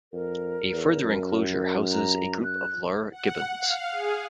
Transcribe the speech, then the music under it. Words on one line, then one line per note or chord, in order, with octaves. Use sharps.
A further enclosure houses a group of lar gibbons.
F2 A#4
E2
F#2
A#5
F#6
F#5
F5
G#4